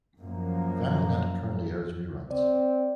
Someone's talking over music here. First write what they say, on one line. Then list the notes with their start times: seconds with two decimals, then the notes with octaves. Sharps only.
FamilyNet currently airs reruns.
0.20 F#2 F3 A#3
2.31 C4 D5